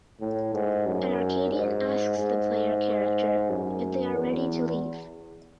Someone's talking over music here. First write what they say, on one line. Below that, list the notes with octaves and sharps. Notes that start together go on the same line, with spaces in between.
An Arcadian asks the player character if they are ready to leave.
A2
G#2
F#2
G#2
G#2
F#2
E2